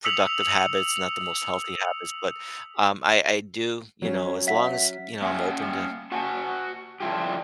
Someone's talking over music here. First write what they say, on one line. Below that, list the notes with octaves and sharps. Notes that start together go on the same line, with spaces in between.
productive habits, not the most healthy habits, but, um, I I do, you know, as long as, you know, I'm open to
D#6 E6 B6 C#7 F7 F#7
F#3 C#4
E5 F#5 B6
A#3 C#4 E5 F#5
F#4 F#5 G#5 A5
D3 F3 E4 F4 G4